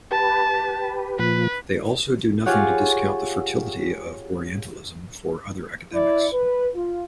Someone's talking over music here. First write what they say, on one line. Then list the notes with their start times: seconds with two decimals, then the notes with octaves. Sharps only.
They also do nothing to discount the fertility of "Orientalism" for other academics.
0.11 G4 B4 A5
1.19 A#2 F3 B4
2.46 F4 G4 G#4 C#5 F#5
5.93 E4 D5
6.33 B4
6.75 F4